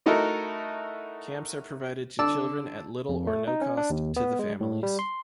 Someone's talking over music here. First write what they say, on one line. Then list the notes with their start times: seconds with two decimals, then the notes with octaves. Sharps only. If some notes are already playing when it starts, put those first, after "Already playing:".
Camps are provided to children at little or no cost to the families.
0.06 A3 D#4 E4 F#4 A4 A#4
2.19 D3 D5 A5 E6
3.09 F2
3.27 A3
3.47 D#4
3.61 C#4
3.77 D4
3.90 D#2
4.16 B3
4.39 G#3
4.61 A2
4.83 G3
4.99 C6